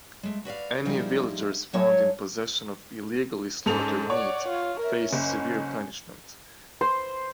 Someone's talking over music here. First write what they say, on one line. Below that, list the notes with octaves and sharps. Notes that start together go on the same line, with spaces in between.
Any villagers found in possession of illegally slaughtered meat faced severe punishment.
G#3 A3
F#4 B4 D5 F5
F2 F3 G3 G#3 D#4 E4
A2 F#3 C#5 D#5 G#5 A5
G#2 C#4 A4 F7
C#5 D5 F#5
F4
A#4 E5
F#1 C#4
C5